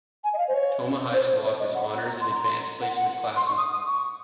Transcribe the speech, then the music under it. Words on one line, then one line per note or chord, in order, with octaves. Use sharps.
Tomah High School offers honors and advanced placement classes.
G#5
D#5
F5
C5
C#5
C5
C5
C#5
D#5
F#5
F#5
A#5
C6
A#5
C6
F#5
F#5
C6
C#6
D#6
D#6
C#6